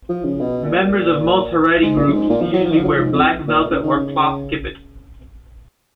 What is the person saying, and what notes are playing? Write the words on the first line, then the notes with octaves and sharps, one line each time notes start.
Members of most Haredi groups usually wear black velvet or cloth kippot.
F3
C#3
B2
A#2
G#2
A#2
F#2
G#2
A#2
F3
F#3
F3
D#3
F3
F#3
F3
G#2
F2
A#2
C#3
D#3
C#3